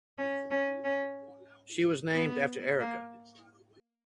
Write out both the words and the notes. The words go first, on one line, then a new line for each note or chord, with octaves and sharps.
She was named after Erica.
C#4
C#4
C#4
B3
A#3